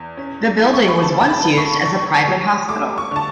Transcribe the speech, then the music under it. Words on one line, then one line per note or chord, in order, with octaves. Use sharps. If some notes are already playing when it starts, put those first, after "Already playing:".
The building was once used as a private hospital.
Already playing: E2
C#4
E4
C#6
B5
C#3 A5
A5
B5
B3
C#6
E2 C#6
G3
A3 D6
C#6
D3 A5